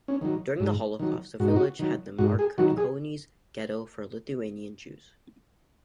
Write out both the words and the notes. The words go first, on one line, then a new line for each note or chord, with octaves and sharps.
During the Holocaust, the village had the Marcinkonys Ghetto for the Lithuanian Jews.
C#4
D#3 F#3
G#2
D#3 F#3
G#2 F#4
D#4
F#4
D#3 F#3
G#2 F#4
G#4
D#3 F#3 F#4
G#4